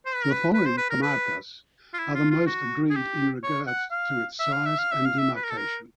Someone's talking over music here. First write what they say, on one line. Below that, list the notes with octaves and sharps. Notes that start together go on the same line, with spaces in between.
The following "comarcas" are the most agreed in regards to its size and demarcation.
C5
B4
A#4
B4
B4
C5
B4
A#4
B4
F4
E4
F4
F4
F#4
G#4
G4
C#5
F#5
F5
E5
F5
E5
F5
E5
F5
E5
B4
A#4
A4
A#4